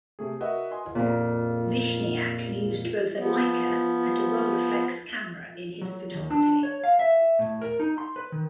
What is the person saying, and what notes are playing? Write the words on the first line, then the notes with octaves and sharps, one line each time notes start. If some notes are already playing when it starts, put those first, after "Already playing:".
Vishniac used both a Leica and a Rolleiflex camera in his photography.
C3 A3 G#4
F#4 A#4 B4 D#5 E5 F#5
D#5 G#5 C6
F2 A#2
F3 B3
F#3
D#2
D4
C#5
F5
E5
A2
A#4
D#4
C6
B4
D#3